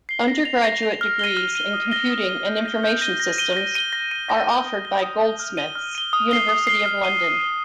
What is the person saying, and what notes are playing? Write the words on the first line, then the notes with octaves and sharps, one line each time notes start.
Undergraduate degrees in Computing and Information Systems are offered by Goldsmiths, University of London.
C7 G7
A#6
F7
A#6
F7
F6
D#7 G7
F6
D#7 G7
D#6
A#6 D#7 G7
D#6
A#6 D#7 G7
G6
A#6 D#7 G7
G6
A#6 D#7 G7
A#6
D#7 G7
A#6
D#7 G7
A#6
D#7 G7
A#6
D#7 G7
D#6
A#6 G7
D#6
A#6 G7
F6
D#7 G7
F6
D#7 G7
D#6
C7 G7
D#6
C7 G7
F6
D#7 G7
F6
D#7 G7